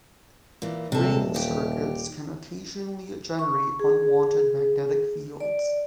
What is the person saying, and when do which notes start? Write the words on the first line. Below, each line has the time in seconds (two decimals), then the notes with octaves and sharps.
Ring circuits can occasionally generate unwanted magnetic fields.
0.62 A#2 E3
0.92 D#1 C3 A4
1.34 D#2 G4
3.39 C#6
3.80 G#4
5.40 D5